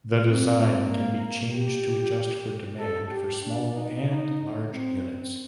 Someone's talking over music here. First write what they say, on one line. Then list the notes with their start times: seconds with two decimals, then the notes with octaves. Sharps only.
The design can be changed to adjust for demand for small and large units.
0.24 C4
0.88 A#3
1.52 G4
2.79 A4
3.11 G4
3.42 D4
3.75 D#4
4.06 D#4
4.70 C4